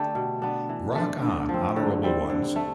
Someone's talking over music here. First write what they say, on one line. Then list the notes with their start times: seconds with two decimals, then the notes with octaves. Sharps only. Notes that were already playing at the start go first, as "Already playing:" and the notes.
Rock On Honorable Ones!!
Already playing: D3 A3 D4 G4
0.15 B2
0.42 B3 D4
0.69 E3
0.95 A3 D4
1.22 D3
1.49 F3
1.54 C4
1.76 D3
2.03 G3 C4
2.30 D3
2.56 A3